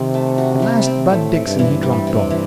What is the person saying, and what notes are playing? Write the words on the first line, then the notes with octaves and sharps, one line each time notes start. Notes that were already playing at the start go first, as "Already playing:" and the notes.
At last Bud Dixon he dropped off.
Already playing: C3 D#3 C4
A3
F#4
G3
C4
A2 A3
C3
G2
E3
G3
C3
E3